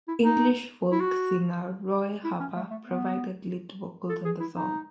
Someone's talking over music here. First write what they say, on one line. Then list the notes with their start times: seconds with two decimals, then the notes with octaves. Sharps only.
English folk singer Roy Harper provided lead vocals on the song.
0.08 E4
0.24 D#4
0.92 E4
1.01 F#4
2.24 E4
2.40 C#4
2.56 A3
2.71 A3
2.86 B3
4.09 A4
4.25 G#4
4.40 E4
4.56 D#4